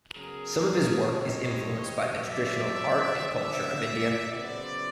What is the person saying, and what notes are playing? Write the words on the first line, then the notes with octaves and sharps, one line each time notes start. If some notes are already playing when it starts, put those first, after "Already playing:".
Some of his work is influenced by the traditional art and culture of India.
C#3 F#3 B3 G#4 A#4
C3 E3 G3 C4 D#4 C#5 D#5
F#3 A3 C4 D5 E5
D3 F#3 B3 D5 E5
C#3 F#3 B3 C5 D5